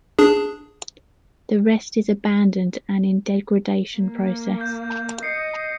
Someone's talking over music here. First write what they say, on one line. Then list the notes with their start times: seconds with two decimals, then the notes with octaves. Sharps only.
The rest is abandoned and in degradation process.
0.19 D4 G#4
4.00 A#3
4.61 G6
5.23 D#5 C7 C#7